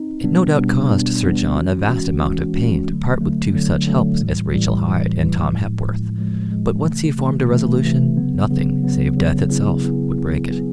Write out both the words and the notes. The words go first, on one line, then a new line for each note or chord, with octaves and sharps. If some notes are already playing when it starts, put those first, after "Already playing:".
It no doubt caused Sir John a vast amount of pain to part with two such helps as Rachel Hyde and Tom Hepworth; but once he formed a resolution, nothing save death itself would break it.
Already playing: C4 D#4
B2 G3 B3 D4
B2 G3 B3 D4
B2 G3 B3 D4
B2 G3 B3 D4
E3 G#3 C#4 F#4
E3 G#3 C#4 F#4
E3 G#3 C#4 F#4
E3 G#3 C#4 F#4
D3 F#3 A3
D3 F#3 A3
D3 F#3 A3
D3 F#3 A3
A2 E3 G3
A2 E3 G3
A2 E3 G3
A2 E3 G3
A2 F3 G#3
A2 F3 G#3
A2 F3 G#3
A2 F3 G#3
C3 E3 A3
C3 E3 A3
C3 E3 A3
C3 E3 A3
C#3 F#3 B3
C#3 F#3 B3
C#3 F#3 B3
C#3 F#3 B3
C#3 F#3 B3 E4 G#4
C#3 F#3 B3 E4 G#4
C#3 F#3 B3 E4 G#4
C#3 F#3 B3 E4 G#4